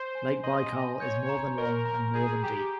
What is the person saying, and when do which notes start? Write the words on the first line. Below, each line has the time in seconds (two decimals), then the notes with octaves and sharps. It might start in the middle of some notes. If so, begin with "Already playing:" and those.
Lake Baikal is more than long and more than deep.
Already playing: C5 G6
0.15 G#5
0.43 D#5 C6
0.72 G#5
1.00 C#5 G6
1.29 A#5
1.57 A#4 C#6
1.85 A#5
2.14 G#4 G6
2.43 G4 A#5